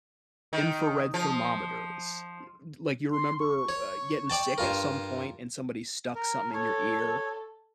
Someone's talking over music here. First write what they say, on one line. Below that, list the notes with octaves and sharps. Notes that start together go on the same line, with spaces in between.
infrared thermometers. Eh like, you remember, uh, gettin' sick at some point and somebody stuck somethin' in your ear
D#3
F3
C6
C#6
C#5
D5 G5 A5
G2 F4 A#4
A#4
A4 C#5